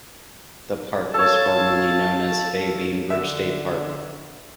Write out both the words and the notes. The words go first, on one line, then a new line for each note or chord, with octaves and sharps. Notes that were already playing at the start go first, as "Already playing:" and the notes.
The park was formerly known as Fay Bainbridge State Park.
A4 C#5 F5 A5
D3 E5